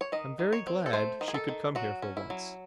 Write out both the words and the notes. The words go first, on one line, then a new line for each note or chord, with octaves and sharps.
I'm very glad she could come here for once.
C#5
D#3 D#5
D#3
C#5
C4
A4
A3 C5
D#3
G#4
A4
D#3
F#3 F#4
C#4
E4
F#3